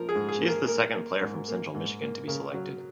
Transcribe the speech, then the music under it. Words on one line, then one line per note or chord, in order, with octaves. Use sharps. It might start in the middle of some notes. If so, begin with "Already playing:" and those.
She is the second player from Central Michigan to be selected.
Already playing: F3 A#4
G#4
G#2
G#4
A#3
A#4
A#3 A#4
A#3
G#2
A#3
G#2
A#3
C#3 A#4
F#3